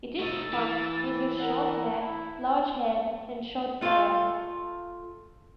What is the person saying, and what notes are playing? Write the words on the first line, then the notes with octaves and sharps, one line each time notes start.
It is plump, with a short neck, large head, and short tail.
A3 D#4 E6 A6
E3
A#4 F#5
E4
A3 F4 A4 C5 F5